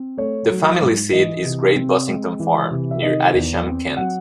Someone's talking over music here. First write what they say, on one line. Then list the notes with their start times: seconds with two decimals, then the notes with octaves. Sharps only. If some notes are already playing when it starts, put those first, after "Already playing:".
The family seat is Great Bossington Farm, near Adisham, Kent.
Already playing: C4
0.18 A3 C#5
0.50 F#3
0.81 G#2
1.13 E3 D#5
1.44 C3
1.76 C4
2.08 G#3
2.40 E3
2.71 C3
2.91 E5
3.02 D#3 D#5
3.33 E2
3.66 C4
3.97 F#3 F#5